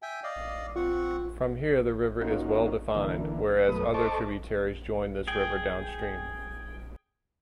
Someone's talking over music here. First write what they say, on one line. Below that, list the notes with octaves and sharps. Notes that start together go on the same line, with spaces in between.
From here the river is well defined, whereas other tributaries join this river downstream.
E5 G5 G#5
D5 D#5 F5
C4 F4 F#5 C#6
A#3 C#4 D#4 F4 F#4
D3 E3 A#3
F#2 B2 A3 B4 D#6
A4 C5 D#5 A5 C#6 D6
G#4 G5